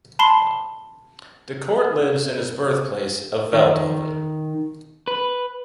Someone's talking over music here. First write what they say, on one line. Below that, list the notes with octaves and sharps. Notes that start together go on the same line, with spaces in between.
De Kort lives in his birth place of Veldhoven.
A5 B5 C6 C7 G7
D#3
B4